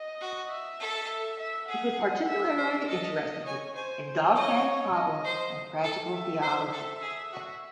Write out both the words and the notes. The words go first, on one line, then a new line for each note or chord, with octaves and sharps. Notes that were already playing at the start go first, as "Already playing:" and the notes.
He was particularly interested in dogmatic problems and practical theology.
Already playing: D#5
F#4
E5
A4
E5
E5
G#4 F#5
E5
C5
A4 D#5
C#5 G#5
C5 G#5
C#5 D#5
D#5
C5
A4
E5
C5 E5
A4
G#4
F#4